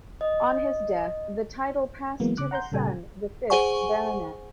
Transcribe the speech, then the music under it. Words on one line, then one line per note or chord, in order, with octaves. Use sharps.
On his death the title passed to his son, the fifth Baronet.
D#5
E3 F#3 G#3 A#3 B3
C#3 D6 F#6
F#5 A#5 C6 G6
A#2 C#3 G3 A4 G5 G#5
G#4 C5 F#5 G#5 C#6